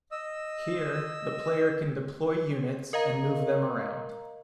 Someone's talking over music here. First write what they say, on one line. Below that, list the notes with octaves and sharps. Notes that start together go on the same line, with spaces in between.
Here, the player can deploy units and move them around.
D#5 E6
A#4 D#5 F5 A#5